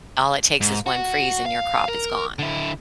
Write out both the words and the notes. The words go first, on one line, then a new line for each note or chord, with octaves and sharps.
all it takes is one freeze, and your crop is gone.
G#2
F#4
F5
A#4
D3 E4